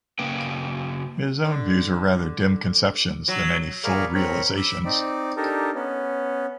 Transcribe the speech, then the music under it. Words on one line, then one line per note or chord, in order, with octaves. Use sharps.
His own views were rather dim conceptions than any full realizations.
C#3 A#3 B4 G5
D3
F#3
G#4 A#4 D5 F5 B5 C#6
C4 A#4 C#5 B5
B5 D6 E6
C4 D#4 D5
D4 D#4 G4 A4 A#4
B3 C#4